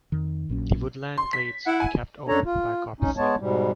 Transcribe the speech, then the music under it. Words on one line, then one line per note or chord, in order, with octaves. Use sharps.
The woodland glades are kept open by coppicing.
F2 D#3
A#1 A#2 F#3 C#4
C6
B6
E4 F#5
G#5
F#2 D4 A4 C#5 A#5
F4
C#4 D#4
G#3 B3 C#5 A5
G#2 B2 G3